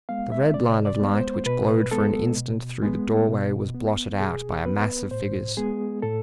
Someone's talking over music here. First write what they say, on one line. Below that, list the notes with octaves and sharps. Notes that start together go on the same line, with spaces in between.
The red line of light which glowed for an instant through the doorway was blotted out by a mass of figures.
G#3 B3 F5
E5
C3 D5
D5
G#3 B3
C5
B2 B4
G#3 B3 A4
B2
G#3 B3
B2
B3
B2 G#4
B3 B4
A2 C5
G#3 B3 G#4
A2 A4